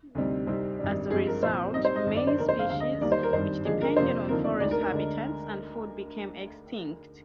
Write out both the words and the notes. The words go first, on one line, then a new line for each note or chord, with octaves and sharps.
As a result, many species which depended on forest habitats and food became extinct.
D2 C3 G3 C4 D#4
C2 C3 G3 C4 D#4
G#1 G#2 G3 D4
G2 F3 G#3 C4 G#4
A#4
C2 A#2 F3 C5
G#2 G3 C4 D#4 D#5
C5
D#5
G#1 G2 D#3
D5
C5
F1 D#2 D3 A#4
C5
F5
D2 D3 G#3 F5
D#5
D#2 D#3 G3 A#3 D5
C5
A#4
G#1 G2 D#3 G3 C5
D#2 D3 F3 G#3 D4 G#4
A#4
F2 C3 F3 A#3 D4 C5
D#2 D3 F3 C4 D#4 A#4
D5
D2 D3 G#3 D#4 D5
A#4
A#4
D2 D3 G#3 D4